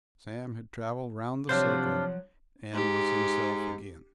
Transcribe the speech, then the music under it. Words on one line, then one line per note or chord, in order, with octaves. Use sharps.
Sam had traveled round the circle and was himself again.
C3 F3 F#3 D4 F4 C5
G#2 G4